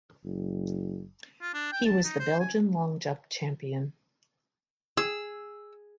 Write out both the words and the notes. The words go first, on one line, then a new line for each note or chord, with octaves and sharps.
He was the Belgian long jump champion.
F#1
F4
D4
G5
A5
D#4
C5
G#5
G#4 E6